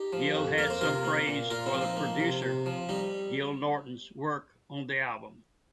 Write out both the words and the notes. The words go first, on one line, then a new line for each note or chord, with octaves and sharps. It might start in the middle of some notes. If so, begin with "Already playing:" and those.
Gill had some praise for producer Gil Norton's work on the album.
Already playing: D#4 G4
F3
F2
A#3 A#4
C5
C3 F4 A#4
A#3
A#2
A#2 F4 A#4
C4 F4
F3
D#4
A#3
C3
C3
F3
G3 D#4